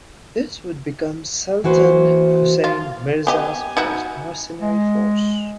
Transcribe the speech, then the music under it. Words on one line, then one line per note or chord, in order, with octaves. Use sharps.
This would become Sultan Husayn Mirza's first mercenary force.
E3 A#3 F#4 B4 C5
F4
B3 G4 D#5 G#5
D#4 E4 F#4
G#3